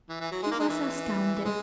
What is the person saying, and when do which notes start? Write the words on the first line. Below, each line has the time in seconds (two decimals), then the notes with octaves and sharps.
He was astounded.
0.09 E3
0.20 E3
0.31 F#3
0.42 G#3
0.51 A#3
0.60 G#3
0.68 E3
1.45 G#3